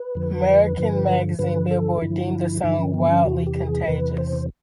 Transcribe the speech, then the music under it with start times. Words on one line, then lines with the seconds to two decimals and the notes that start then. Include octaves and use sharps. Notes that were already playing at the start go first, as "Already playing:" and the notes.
American magazine "Billboard" deemed the song "wildly contagious".
Already playing: B4
0.15 F2 D3 F3
0.77 G2 D3 F3
1.39 G2 D3 F3 B4
1.71 A4
2.02 G2 D3 F3 E4
2.63 G2 D3 F3 D#4
2.80 C#4
2.94 B3
3.09 C#4
3.25 E2 C3 E3 F#4
3.47 G4
3.67 G#4
3.88 E2 C3 E3 B4
4.18 C5